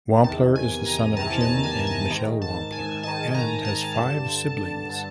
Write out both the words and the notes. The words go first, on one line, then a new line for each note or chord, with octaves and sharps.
Wampler is the son of Jim and Michelle Wampler and has five siblings.
E2 C3 D#3 A5
G#5
A#5
E2 C3 D#3 A5
A5
G#5
A5
G#2 D#3 A#5
A5
G#5
G#2 D#3 A5
A5
A#5
A5
G2 D3
D3